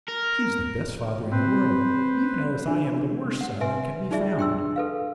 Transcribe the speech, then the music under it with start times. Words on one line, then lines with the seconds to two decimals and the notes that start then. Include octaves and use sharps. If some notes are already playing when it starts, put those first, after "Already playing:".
"He is the best father in the world, even as I am the worst son that can be found."
0.08 A#4
1.32 C4 B4 C5
2.66 D4 F4
3.41 F#5
3.61 B4 E5 G#5 C6
4.11 D#4 F4 G#4 D5 E5
4.37 D4 G5 C6 E6
4.76 A4 B4 F5